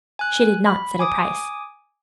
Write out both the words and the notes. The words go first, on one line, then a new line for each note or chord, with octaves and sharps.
She did not set a price.
G#5 F#6
B5
G#5 D6 D#6